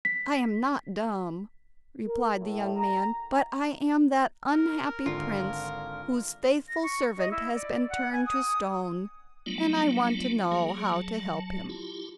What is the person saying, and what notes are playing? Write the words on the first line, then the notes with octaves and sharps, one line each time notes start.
'I am not dumb,' replied the young man, 'but I am that unhappy prince whose faithful servant has been turned to stone, and I want to know how to help him.'
B6
A#4
A2
A#5
A#4
G#1 D3 F4
A#6
C#6
D#5
E4
D5
F#5
G#5
D#6
F#3 G3 A3 B3 D4 F4
F#3 A#3 G#4
F#3 A5
E4 F4 G4